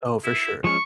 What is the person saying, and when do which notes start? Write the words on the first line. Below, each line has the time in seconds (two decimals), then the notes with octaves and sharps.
Oh, for sure.
0.24 E4
0.64 F3 G#3 C#4 C#6